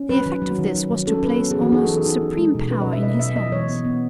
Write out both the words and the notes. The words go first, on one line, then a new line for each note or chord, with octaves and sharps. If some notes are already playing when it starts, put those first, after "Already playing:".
The effect of this was to place almost supreme power in his hands.
Already playing: C#4
F#3 B4
D#3
F#3
D#3
F#3
F#3
C#4 A4
F#3 B4
B3
G#4
E3
F#4
D#4 G#4
A4
E3
A4
D#4
D#4
G#3
B2
C#4 B4
D#5
B2
E5
B2 D#5
F#3 E5
E4 D#5
E3 C#5
B3
B3